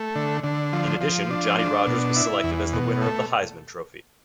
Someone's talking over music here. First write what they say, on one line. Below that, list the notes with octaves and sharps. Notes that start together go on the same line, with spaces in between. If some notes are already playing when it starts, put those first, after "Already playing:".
In addition, Johnny Rodgers was selected as the winner of the Heisman Trophy.
Already playing: A3
D3
D3
F3
F3
D4
D4
B2
E4
E2
B2
A3